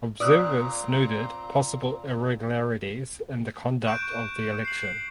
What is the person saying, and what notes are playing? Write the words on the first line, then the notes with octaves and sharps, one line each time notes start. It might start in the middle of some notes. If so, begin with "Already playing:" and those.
Observers noted possible irregularities in the conduct of the election.
A#2 C4 D5 A#5 D#6 E6 F#6
C#6 F#6 G6 D7 E7
C7 F#7